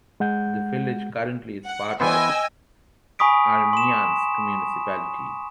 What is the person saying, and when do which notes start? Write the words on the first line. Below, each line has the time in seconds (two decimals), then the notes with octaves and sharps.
The village currently is part of Armyansk Municipality.
0.20 G#3 F#5 G6
1.66 F#5
2.00 E3 B3 C5 D#5 G5 G#5 E6
3.19 G#5 B5 C#6 D#6 B6 D7
3.73 C6 E7